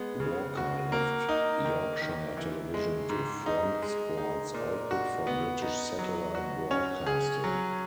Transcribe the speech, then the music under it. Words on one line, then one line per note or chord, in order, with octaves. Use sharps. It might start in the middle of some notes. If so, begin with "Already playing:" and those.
Walker left Yorkshire Television to front sports output for British Satellite Broadcasting.
Already playing: G#3 B3
C#3
F#4
A#3
D#4
D#3
D#3
E3
G#3
G#2
D#4
G#3
D#4
A#2
F#4
B3
D#4
F#3
F#4
C#4
G#4
F#3